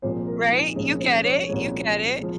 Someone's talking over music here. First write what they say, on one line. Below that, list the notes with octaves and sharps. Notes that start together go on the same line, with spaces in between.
Right? You get it, you get it.
C2 A#2 F3 G#3 C5
A#4
D#4
C2 A#2 F3 G#3 C#4
C5
C#5
C2 A#2 F3 G#3 C#5
F3 G#3